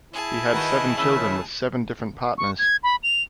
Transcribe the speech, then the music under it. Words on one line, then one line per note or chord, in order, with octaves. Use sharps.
He had seven children with seven different partners.
E4 G#4 A5
D#3 D#4 F#4 B4
D#2 C#3 E4 E5
C#6
G#6
B5
F7